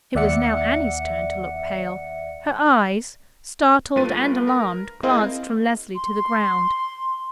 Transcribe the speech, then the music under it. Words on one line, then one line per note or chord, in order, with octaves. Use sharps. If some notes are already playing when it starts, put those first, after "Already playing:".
It was now Annie's turn to look pale; her eyes, startled and alarmed, glanced from Leslie to the ground.
D#2 D5 E5 F#5 C#7
G2 A3 F4 B4 A6 D#7
A#4
C4 E4 G#4 A#4 D#5 F5
C6